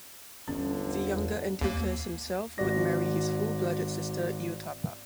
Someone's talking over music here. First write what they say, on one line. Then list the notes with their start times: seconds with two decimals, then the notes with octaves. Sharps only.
The younger Antiochus himself would marry his full-blooded sister Iotapa.
0.48 G1 E2 D3 C#4
1.61 D#2 A#3
2.58 G#1 F#4 D5 A#6